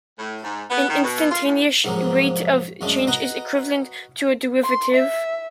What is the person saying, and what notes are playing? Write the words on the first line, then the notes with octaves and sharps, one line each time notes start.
An instantaneous rate of change is equivalent to a derivative.
A2
G#2
B3
D#3
B2
F4
A2
G#2 C3 F3 F#3 A#3
F#2 D3 G#3 A3
F#4 B4 D#5 A#5
C6
E5